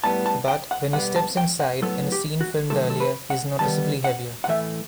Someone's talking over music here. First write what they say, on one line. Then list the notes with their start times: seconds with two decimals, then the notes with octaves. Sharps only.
But, when he steps inside, in a scene filmed earlier, he is noticeably heavier.
0.04 A2 G3 B3 A5
0.26 A5
0.48 G5
0.71 F#5
0.93 B2 G3 B3 F#5
1.16 A5
1.37 G5
1.60 F#5
1.82 A2 F#3 B3 A4
2.12 G4
2.41 F#4
2.70 C3 D#3 F#3 A3 A4
2.90 A4
3.00 B4
3.30 F#5
3.59 D#3 G3 B3 A5
4.04 F#5
4.44 F#5
4.48 A2 E3 A3 E5